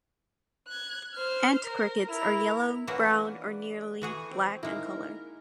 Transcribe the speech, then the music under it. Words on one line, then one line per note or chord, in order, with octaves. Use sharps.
Ant Crickets are yellow, brown, or nearly black in color.
F#6 G#6
C5 F6
A#4
E4 A#4 F7
E3 A#3 C#4 F#4 B4 F#5
D4
E3 A3 F#4 G#4
C4
G#3 A#3 D#4 E4 A#4